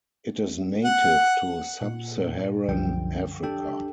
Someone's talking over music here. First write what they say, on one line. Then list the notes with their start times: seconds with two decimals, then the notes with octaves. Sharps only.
It is native to Sub-Saharan Africa.
0.85 F#5
1.81 A#2
2.68 C2 F#2 D3 F3 G3 G5
3.43 D4 G4 A4 G5